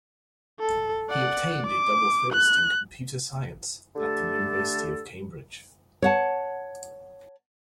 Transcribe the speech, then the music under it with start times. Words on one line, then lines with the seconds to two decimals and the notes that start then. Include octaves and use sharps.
He obtained a double first in Computer Science at the University of Cambridge.
0.60 A4
1.10 D5 F#5
1.67 D6
2.33 F#6
3.96 D3 A3 G4 A4
6.02 C#5 F#5 A5